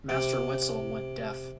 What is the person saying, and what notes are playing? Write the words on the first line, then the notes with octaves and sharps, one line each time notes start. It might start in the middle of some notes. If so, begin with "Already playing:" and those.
Master Wetzel went deaf.
C3